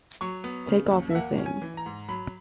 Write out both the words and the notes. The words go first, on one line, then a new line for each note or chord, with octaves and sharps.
Take off your things.
F#3 C#6
B3
C#3
D#2
E5
A#3 F#5
C#4
G#5
E3
A#5
G#2
F#3 B5